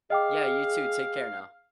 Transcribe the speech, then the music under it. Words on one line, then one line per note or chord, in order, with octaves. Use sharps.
Yeah, you too, take care now.
G#4 D#5 F5 G5 D6